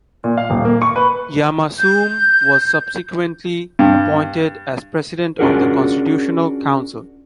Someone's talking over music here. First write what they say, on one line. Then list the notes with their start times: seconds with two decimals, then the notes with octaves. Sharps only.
Yamassoum was subsequently appointed as President of the Constitutional Council.
0.24 A#2
0.38 F5
0.50 D#1
0.65 A#3
0.82 C#6
0.96 B4
1.79 G6
3.79 G2
5.39 C#4 D4 F4 F#4 G#4 A#4